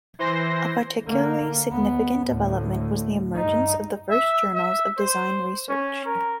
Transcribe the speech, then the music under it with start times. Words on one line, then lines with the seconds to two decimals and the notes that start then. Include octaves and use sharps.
A particularly significant development was the emergence of the first journals of design research.
0.19 E3 C5 C6 A#6
1.05 D3 A#3
1.69 D#2 B3
2.27 D2 A2
3.35 G2 D#4
4.10 E5
4.54 E5
4.98 C5
5.69 C#4
6.06 A#4